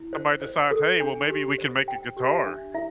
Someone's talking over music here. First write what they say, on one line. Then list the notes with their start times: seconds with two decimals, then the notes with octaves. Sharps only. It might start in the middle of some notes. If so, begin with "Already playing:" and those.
somebody decides, "Hey, well, maybe we can make a guitar."
Already playing: E4
0.13 C5
0.42 C5
0.71 A4
1.00 D4
1.29 G4
1.58 C5
1.87 C5 G5
2.17 G4
2.31 E5
2.46 D4
2.75 E4 E5